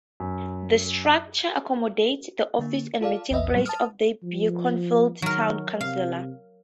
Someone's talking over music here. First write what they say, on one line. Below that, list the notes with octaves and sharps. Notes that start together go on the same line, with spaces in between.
The structure accommodates the offices and meeting place of Beaconsfield Town Council.
F#2
D3 A#3
F4 A4 D5 F5
A#1 E2 B4 D#5 E5
A2 F#3 G3 C4
A5 D#6 F6
F3
D#3 F#3 A#4
C3 F5